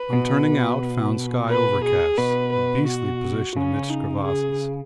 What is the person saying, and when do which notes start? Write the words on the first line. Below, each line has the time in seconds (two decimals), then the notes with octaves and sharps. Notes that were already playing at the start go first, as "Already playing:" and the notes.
On turning out found sky overcast; a beastly position amidst crevasses.
Already playing: B4
0.13 B2
1.50 B4
1.85 G#4
2.18 B2 B4
2.53 B4
2.87 F#4
3.56 C#3 C#4
3.90 D#4
4.25 G#4